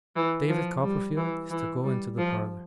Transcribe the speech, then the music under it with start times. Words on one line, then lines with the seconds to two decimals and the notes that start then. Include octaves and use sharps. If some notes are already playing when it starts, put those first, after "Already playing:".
'David Copperfield is to go into the parlour.'
0.16 E3
0.49 F3
0.83 G3
1.17 E3
1.50 E3
1.84 G3
2.18 F3